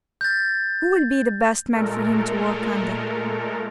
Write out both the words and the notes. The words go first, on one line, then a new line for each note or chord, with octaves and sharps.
Who will be the best man for him to work under?'
G6 A6
A#2 G#3 A3 A4 A#4